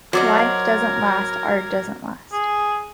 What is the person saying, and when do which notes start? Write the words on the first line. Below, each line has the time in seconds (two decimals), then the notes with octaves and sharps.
Life doesn't last; art doesn't last.
0.13 F#3 A#4 C5 D5 D#5 G#6
2.33 G#4